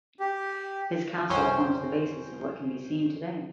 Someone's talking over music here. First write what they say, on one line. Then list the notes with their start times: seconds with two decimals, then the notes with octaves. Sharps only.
His castle forms the basis of what can be seen today.
0.20 G4
1.30 C2 F#2 C#4 C5 G5